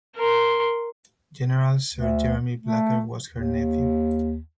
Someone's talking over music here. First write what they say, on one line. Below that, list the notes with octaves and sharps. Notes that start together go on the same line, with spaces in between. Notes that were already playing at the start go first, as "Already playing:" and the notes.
General Sir Jeremy Blacker was her nephew.
A#4 C6
D2
A3
D#2